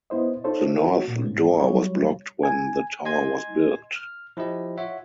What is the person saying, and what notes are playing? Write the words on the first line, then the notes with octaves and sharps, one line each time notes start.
The north door was blocked when the tower was built.
B3 E4 C5 D#5
D#4 F4 A4 C5 C#5
F#4 C#5
A#2
G#2
F#3 G3 C#5
G#5
D#5 G#5 C6 G#6
F6
F3 E4 G4 D#5
F4 C#5 E5 F#5